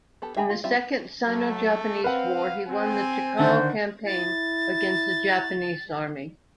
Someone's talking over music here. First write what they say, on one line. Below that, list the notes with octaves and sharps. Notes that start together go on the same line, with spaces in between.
In the Second Sino-Japanese War, he won the Cheqiao Campaign against the Japanese Army.
B3 G4 A4
E5 G5 G#5 A#5 B5
F4
G3 C4 F4 E5
F#3 A3
C4 B4 F5 F#5
C4 G#5
D3 D#3 C5
E4 A6